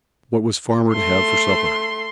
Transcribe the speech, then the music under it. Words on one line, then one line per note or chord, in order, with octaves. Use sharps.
What was farmer to have for supper?'
A3 C6